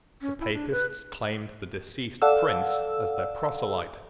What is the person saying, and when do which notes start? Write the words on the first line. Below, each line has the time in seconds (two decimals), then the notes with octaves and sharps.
The Papists claimed the deceased prince as their proselyte.
0.21 C#4
0.40 E4
0.53 D4
0.72 B4
2.22 A4 D5 F5 F#5 E6